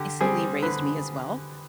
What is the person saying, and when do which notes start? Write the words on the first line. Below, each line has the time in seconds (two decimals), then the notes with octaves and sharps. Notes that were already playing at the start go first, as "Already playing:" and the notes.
basically raised me as well,
Already playing: D3 G4
0.21 G3 C4 G#4
0.62 D3 B4